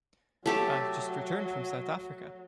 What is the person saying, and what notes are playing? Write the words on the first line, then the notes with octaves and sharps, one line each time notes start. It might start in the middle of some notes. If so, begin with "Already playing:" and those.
I’ve just returned from South Africa.
F#3 A3 G4 A4